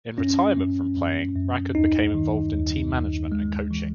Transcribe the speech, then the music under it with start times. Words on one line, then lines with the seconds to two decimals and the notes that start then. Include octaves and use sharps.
In retirement from playing Rackard became involved in team management and coaching.
0.18 F#2 C#4
0.58 F#2
0.97 F#2
1.36 F#2
1.75 D#2 D#4
2.14 D#3
2.52 D#2
2.93 D#2
3.32 G#3
3.71 E3